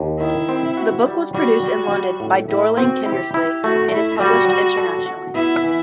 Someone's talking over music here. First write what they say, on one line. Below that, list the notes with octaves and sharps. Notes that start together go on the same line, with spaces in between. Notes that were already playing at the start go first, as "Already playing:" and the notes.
The book was produced in London by Dorling Kindersley and is published internationally.
Already playing: D#2
D#3 E4
C4
F#4
G3
G3 F#4
G3
G3
A2
A2 E4
C4 F#4
E4 G4
E4
A3 F#4
A3 E4
G3 F#4
G3
A4
F#4
B3 E4
E3